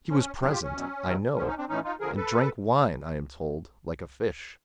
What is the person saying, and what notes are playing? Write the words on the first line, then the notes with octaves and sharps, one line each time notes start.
"He was present, I know; and drank wine, I am told, like a fish."
A#2 F3 C#4
A2 F#3 C4 D4
G#4
F4 G4
C#4
E2 B2 F#3
G2 D#3 F#3
F#2 D3 F3 C#4
C#4 D#4
C4 D4
A2 E3 C#4 D#4
D#4 F4
F2 D3 F3 G#4 A#4
A4 B4